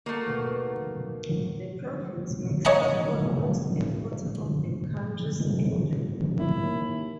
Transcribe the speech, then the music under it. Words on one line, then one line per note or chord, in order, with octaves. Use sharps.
The province makes up almost a quarter of the country's area.
A3 A#3 F#4
D#2 B2
C#5 D#5 F#5 A5 A#5
F2 E4
D#2